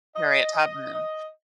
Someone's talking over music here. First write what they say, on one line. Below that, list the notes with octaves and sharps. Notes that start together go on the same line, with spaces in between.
Harriet Tubman.
D#5
D#5
D#5